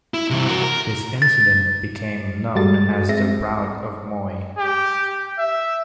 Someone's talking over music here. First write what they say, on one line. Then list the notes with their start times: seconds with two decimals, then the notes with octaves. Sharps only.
This incident became known as the "Rout of Moy".
0.14 E4
0.30 C3 E3
0.47 F#4 A#4
0.63 A#4
1.22 A6
2.55 G2 G3 G#3 F#4 A4 A6
3.09 G#3 C4 E5 A#6
4.58 G4
5.39 E5